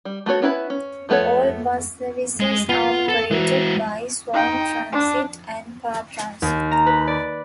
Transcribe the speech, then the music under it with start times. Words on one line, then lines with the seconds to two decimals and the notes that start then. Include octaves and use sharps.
All bus services are operated by Swan Transit and Path Transit.
0.05 G3
0.26 A3 B3 F#4 C#5
0.42 B3 C#4 E4 A#4 B4
0.70 C#4
1.09 F3 A3 B3 A4 C#5
2.40 G#3
2.69 B3 F4
3.09 A4
3.31 E3 G#3 F#4
4.33 D#4 G5
4.93 D4
6.42 D#2
6.71 A#5
6.86 B4
7.07 D5